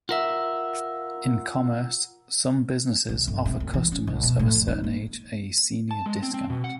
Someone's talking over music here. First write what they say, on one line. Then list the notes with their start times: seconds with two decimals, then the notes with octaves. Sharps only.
In commerce, some businesses offer customers of a certain age a "senior discount".
0.09 F4 A#4 E5 F#5 E6
3.09 C2
3.28 G1
3.46 C3
3.60 D2
3.74 E3
3.92 C#4
4.07 C2
4.23 B2
4.39 A2
4.55 F2
4.68 D#4
4.84 A#3
5.91 A5
6.06 G#3
6.23 C4
6.34 C4
6.50 B2
6.64 F#5